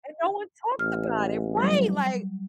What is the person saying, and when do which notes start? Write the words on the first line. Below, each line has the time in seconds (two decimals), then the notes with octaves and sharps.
and no one talked about it Right, like,
0.79 A1 F6
1.57 F#3 G3